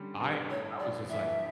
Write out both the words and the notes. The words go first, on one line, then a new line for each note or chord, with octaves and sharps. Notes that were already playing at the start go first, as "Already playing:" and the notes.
I I was just like,
Already playing: D3 G3 C#4
G2
A2 C#5
A#1 D5
E3 E5